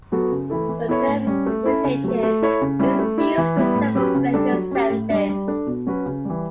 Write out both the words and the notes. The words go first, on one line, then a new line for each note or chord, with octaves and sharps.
The term "commutative" is used in several related senses.
F#3 B3 F#4 A4
C#3
E3 A3 E4 A4
E3
B3 E4 A4 C#5
A2
G3 C#4
A3
C#4 E4 A4
C#3
F#3 A3
A3
E4 A4 C#5
C#3
G3 C#4 E4
A3
E4 G4
E3
G3 B3 E4
A2
F#3 C#4 G4 B4
C#3
G3 D4 A4
F#3
C#4 G4
A2
G3 D4
G3
D4 A4
B2
F#3 C#4 F#4 B4
C#3
E3 G3